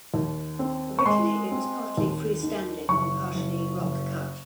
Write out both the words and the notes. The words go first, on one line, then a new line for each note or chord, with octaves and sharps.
Originally, it was partially free-standing and partially rock-cut.
D#2
C4
C#6
G#3 C6
C4
D#2
D#3
F#1 C#6
F#1
F#1